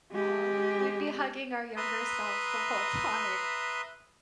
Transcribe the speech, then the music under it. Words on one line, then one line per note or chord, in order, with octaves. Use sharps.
Aw, we'd be hugging our younger selves the whole time.
G#3 G4
B4 E5 A#5 C6 D#6